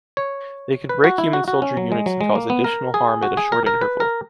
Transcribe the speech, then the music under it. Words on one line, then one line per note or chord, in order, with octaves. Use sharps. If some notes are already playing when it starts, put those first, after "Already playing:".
They can break human soldier units and cause additional harm at a short interval.
C#5
B4
F#4
E4
F#4
F#4
C#4
F#3
G#3
F#3
G#3
A#3
B3
A#4
G#4
F#4
G#4
A#4
A#4
B4
A#4